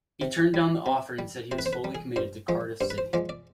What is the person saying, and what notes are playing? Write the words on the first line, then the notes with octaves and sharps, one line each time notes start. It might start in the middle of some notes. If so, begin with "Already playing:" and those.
He turned down the offer and said he was fully committed to Cardiff City.
C3
G3
C3
G3
C3 C5
B4
C5
B4
G3
G#4
G2 C5
F3 G#3
G2 C5
B4
C5
F3 G#3 D5
D5